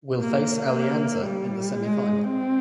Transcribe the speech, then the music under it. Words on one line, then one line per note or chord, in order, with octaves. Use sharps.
Will face Alianza in the semifinal.
A#3
A#3
G3
G#3
C4